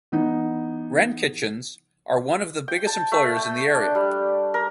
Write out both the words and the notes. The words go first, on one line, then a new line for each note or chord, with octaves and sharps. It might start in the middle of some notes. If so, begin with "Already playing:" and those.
Wren Kitchens are one of the biggest employers in the area.
E3 B3 D#4
G5
A5
A3
G5
D4
G3
A#4